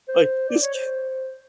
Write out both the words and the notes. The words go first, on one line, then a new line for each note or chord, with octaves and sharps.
Like, this kid
C5
D5
C#5
C5